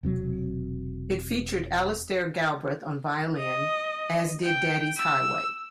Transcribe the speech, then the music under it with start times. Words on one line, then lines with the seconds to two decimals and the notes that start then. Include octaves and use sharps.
It featured Alastair Galbraith on violin, as did "Daddy's Highway".
0.03 E1 C3 F#3
3.38 D#5
4.44 G5
4.97 E6